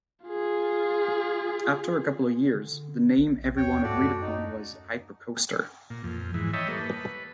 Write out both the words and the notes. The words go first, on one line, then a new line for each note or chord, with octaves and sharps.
After a couple of years, the name everyone agreed upon was hypercoaster.
F4 G#4
D3
A#1
D#2 C#5 G5
G#2 A3 F#4 D5
F#2
D#4
A#2
F2
G#2 E3
C#5 D#5 E5 G5 A5 B5
G3 A#3 A4 B4
B4